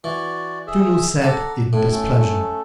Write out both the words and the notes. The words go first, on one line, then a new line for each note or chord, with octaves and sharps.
Tzu-lu said in displeasure.
E3 F#4 D5
G#4 E5
A4 D5 F#5 A#5
A2 D4
A3 C#4 A4